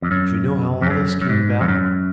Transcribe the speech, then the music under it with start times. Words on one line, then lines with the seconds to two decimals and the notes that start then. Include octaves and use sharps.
Do you know how all this came about?
0.02 F2
0.11 F#2
0.81 F2
0.90 F#2
1.21 F#2
1.29 G#2
1.61 F2
1.68 F#2